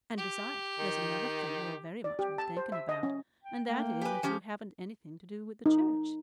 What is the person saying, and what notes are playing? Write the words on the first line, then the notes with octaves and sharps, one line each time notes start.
And, besides, there's another thing you're very much mistaken about, and that is that you haven't anything to do with the church.
G4
D#3
D5
G4
A5
C5
E5
D#5
C#4
G5
A3 A#3 G5
G4 B4 G#5
F3 C#4 G4
D#4